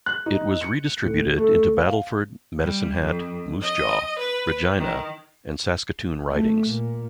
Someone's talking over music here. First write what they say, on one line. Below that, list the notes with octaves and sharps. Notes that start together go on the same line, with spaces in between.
It was redistributed into Battleford, Medicine Hat, Moose Jaw, Regina and Saskatoon ridings.
F#6
D#4
C#7
A2
A3
F5
G3
F2
D#5
B4
D#3
A3
A#2